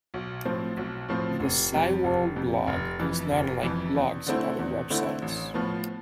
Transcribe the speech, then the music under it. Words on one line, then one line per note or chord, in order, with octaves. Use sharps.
The Cyworld blog is not unlike blogs in other websites.
B1
A2 F3 C4
B1
A2 F3 C4
F1
F2 C3
F1
F2 C3
F1
F2 E3
F1
F2 E3
E2
D3 A3 C4 E4
E2
D3 A3 C4 E4
A1
A2 F3 B3